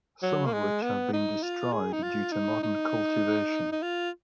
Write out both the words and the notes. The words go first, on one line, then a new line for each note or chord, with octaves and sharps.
Some of which have been destroyed due to modern cultivation.
F#3
A#3
G#3
B3
D#4
F4
G#4
D#4
F4
D#4
D#4
D#4
F4